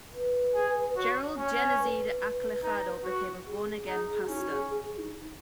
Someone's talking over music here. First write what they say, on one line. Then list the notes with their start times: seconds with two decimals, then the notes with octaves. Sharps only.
Gerald "Genezide" Acelajado became a Born-Again Pastor.
0.13 B4
0.55 G#4
0.97 F#4 C#5
1.38 C#4
1.80 B4
2.63 D#4
3.04 F#4
3.46 G#4
3.87 D#4
4.20 F#4
4.28 C#4 D#4
4.39 F#4
4.50 G#4
4.70 G#4
4.84 G#4
4.98 D#4
5.12 D#4